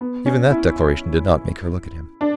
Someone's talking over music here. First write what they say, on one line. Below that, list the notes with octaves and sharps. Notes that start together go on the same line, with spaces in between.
Even that declaration did not make her look at him.
B3
C#4
E4
D4